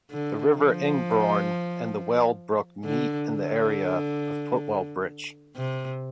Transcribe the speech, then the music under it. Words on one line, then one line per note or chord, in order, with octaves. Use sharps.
The River Ingrebourne and the Weald Brook meet in the area of Putwell Bridge.
D3
F3
D3
D3
C3